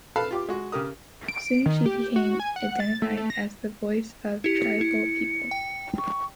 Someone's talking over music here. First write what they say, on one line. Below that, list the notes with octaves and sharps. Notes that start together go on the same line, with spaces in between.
Soon she became identified as the voice of tribal people.
A4 B4 F5 A5 B5
F4 G4 D6
G#3 F#4
C#3 G4 A#4 D#6
D7
D#3
G4
F#4
G#5
F#5
A6
A3
A3
A#6
E4 G4 C#7
E4
G5
C#6